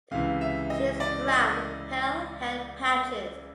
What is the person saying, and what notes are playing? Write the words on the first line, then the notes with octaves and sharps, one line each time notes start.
She is brown with pale head patches.
C#2 C3 E3 F5
E5
D#5
D5
D#5